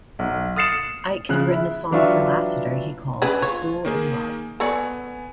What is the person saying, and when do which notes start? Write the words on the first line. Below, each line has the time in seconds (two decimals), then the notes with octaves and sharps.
Ike had written a song for Lassiter he called "A Fool in Love".
0.19 B1
0.56 D#6 F6 A6 C7 C#7 E7
1.29 C#3 F3 F#6
1.50 E4
1.91 E3 F#3 D4 F4 E5 C#6
3.22 C#4 D4 G#4 B4
3.42 F4 C#5
3.85 D#3 A#3 G#4
4.60 B3 A4 C#5 D5 G#5